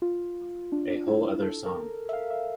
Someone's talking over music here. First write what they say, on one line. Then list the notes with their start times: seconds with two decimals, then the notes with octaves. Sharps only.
A whole other song.
0.02 F4
0.72 D4
0.90 D4
1.07 E4
1.42 A4
1.66 A#4
2.09 E5
2.13 F5
2.30 E5